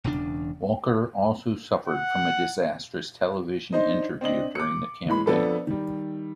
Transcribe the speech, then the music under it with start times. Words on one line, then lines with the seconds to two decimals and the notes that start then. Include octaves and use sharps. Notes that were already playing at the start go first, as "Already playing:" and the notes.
Walker also suffered from a disastrous television interview during the campaign.
0.04 E1 E2 C#3 D4
1.88 F#5
3.73 D4 D#4 C5 D#5
4.21 C4 D4 D#5 F#7
4.55 D6 C#7
5.08 A2 E3 G#3 B5
5.26 F2 B3 D4 A4 D5 B5
5.67 D#3 G3